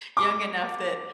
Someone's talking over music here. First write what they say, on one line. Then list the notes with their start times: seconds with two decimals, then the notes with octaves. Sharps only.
young enough that,
0.17 D6